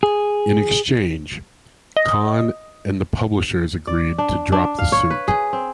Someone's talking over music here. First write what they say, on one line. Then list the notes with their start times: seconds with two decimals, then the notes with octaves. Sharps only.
In exchange, Cahn and the publishers agreed to drop the suit.
0.03 G#4
1.97 D#5
3.87 D5
4.18 D4
4.52 D4
4.79 F5
4.92 C#5
5.10 B4
5.28 G#4
5.53 C4